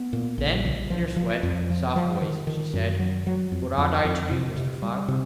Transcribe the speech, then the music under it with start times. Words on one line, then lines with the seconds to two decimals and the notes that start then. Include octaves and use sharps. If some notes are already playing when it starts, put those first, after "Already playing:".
Then, in her sweet, soft voice, she said: "What ought I to do, Mr. Fogg?"
Already playing: B3
0.13 A#2
0.38 A#1
0.65 C#2
0.90 F3
1.16 F3
1.43 F2
1.70 F3
1.96 F3
2.21 D#3
2.47 D#3
2.74 F#2
2.99 F#3
3.27 F#3
3.52 F2
3.78 F2
4.04 F2
4.31 C3
4.56 C3
4.82 G3
5.08 C3